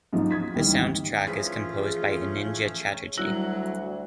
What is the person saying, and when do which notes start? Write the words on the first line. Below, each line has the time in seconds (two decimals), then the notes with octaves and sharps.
The soundtrack is composed by Anindya Chatterjee.
0.13 G#2 F3 F#3
0.31 D#6 G#6 B6
0.54 D2 D#3 E3 G3
0.73 G#1
1.27 E3 F3 A3 C#4 F4 G#4 B6
3.18 D2 F#3 G3 E4 F#6